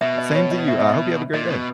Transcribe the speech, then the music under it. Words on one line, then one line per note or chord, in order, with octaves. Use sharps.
Same to you, I hope you have a great day.
B2 E5
D#5
C#5
D#5
E5
E5
D#5
A#2 D#5
B2